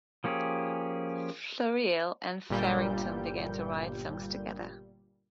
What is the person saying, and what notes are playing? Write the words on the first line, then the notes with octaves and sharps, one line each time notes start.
Floreale and Farrington began to write songs together.
F3 A#3 C#4 G4 G#4
G1 A#2 G3 G6